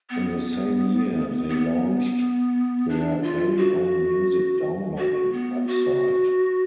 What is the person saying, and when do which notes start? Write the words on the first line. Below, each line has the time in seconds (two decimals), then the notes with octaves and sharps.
In the same year, they launched their very own music downloading website.
0.10 B3
1.49 B3
2.89 D4
3.23 F4
3.57 F#4
4.98 F#4
5.32 B3
5.67 F#4